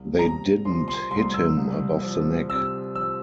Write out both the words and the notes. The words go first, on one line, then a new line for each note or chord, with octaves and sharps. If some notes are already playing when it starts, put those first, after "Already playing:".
They didn't hit him above the neck.
Already playing: C2
C3 A#5
F3 C6
C6
C2 C6
E6
C2
F3
C3 E6
F3 E6